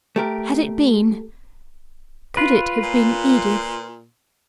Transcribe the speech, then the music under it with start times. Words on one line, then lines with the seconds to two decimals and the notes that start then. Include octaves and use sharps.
Had it been--could it have been Edith?
0.16 A3 G4 A#4
2.37 F4 B4
2.83 A#2